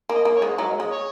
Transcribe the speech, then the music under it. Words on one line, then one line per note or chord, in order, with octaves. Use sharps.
Right on.
A#3
D#5
A#3
C#5
G#3
F#3 A#4
G#3
C#5